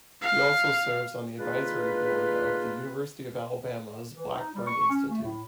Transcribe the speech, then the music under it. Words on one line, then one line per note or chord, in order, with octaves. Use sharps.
He also serves on the advisory board of the University of Alabama's Blackburn Institute.
F5
D3 G#3 A#3 D#4 F4 B4
E3
D#4
G3
C#6
C#4
A3
A2